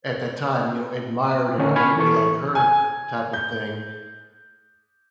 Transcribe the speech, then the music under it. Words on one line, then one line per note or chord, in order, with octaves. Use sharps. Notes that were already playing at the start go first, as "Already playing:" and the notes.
at that time, you know, admired and "I wanna be like her" type of thing.
D3 D#3 C#4 D#4
G#5 B5 C#6 F6 G#6
E3 A4 C#6
G#5
G6